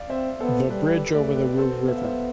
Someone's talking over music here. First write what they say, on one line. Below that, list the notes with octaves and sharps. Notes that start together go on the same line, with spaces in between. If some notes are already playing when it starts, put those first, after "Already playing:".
The bridge over the Wu River.
Already playing: D5 F5
C4 C5 E5
B3 A4 C5
G3 G4 B4
G4 B4
A3 B4 D5
G4 B4
B3 A4 C5
E5
F5
C5 E5